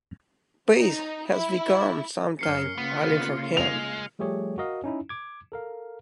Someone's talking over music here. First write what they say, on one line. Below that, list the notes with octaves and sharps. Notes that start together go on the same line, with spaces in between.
Peace has become something alien for him.
D#4
E4
F#2 C#4 A#4 F6 C7 C#7
C#3 A#3 B3 F4
G#3 F7
F3 G3 A3 G4 G#4 C#5
F#4 A#4 D#5 F5
C#4 D#4 E4
D6 G#6
A4 A#4 F5